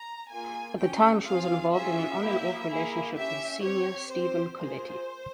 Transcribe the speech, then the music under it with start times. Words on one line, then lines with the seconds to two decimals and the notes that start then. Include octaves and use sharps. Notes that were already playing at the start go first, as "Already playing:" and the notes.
At the time, she was involved in an on-and-off relationship with senior Stephen Colletti.
Already playing: A#5
0.31 A#3 F4 G#4 G#5
0.79 C#4 G4 G5
1.26 C4 F4 G#4 F5
1.74 C#4 F4 G#4 E5
2.21 A#3 E4 G4
2.68 A#3 E4 G#4
3.15 C#4 G4 E5
3.63 C4 G4 C#5
4.10 C4 G4 C5
4.58 A#3 F4 G#4 C5